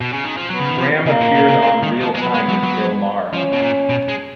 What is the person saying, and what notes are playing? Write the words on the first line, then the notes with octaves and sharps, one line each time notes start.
Graham appeared on "Real Time with Bill Maher".
B2
C#3
D#3
F3
F#3 B3
C#3
D#3
F3
C#3 A#3
A#2
B2
C#3
C#3
D#3
F3
G#3
F#3 B3
G#3
F#3
F#3
F3 C#4
B2
A#2
B2
G#3